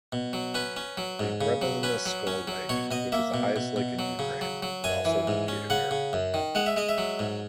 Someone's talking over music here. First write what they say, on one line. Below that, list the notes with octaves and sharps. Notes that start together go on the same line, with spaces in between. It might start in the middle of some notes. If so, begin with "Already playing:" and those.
The Brebeneskul Lake, which is the highest lake in Ukraine, is also located here.
B2
F#3
C#4 B4
C#4
F#3
G#2
C#3
F#3
C#4 B4
F#3
C#4
F#3
B2 C#5
B2 D#5
A#3 E5
B2
B2
B2
F#3
C#3
F#3
F#3
F#2 G#5
E3
G#2
C#4
C#3 F#5
C#3
F#2
D#3
G#3 F#5
E5
G#3 D#5
E5
F#3
G#2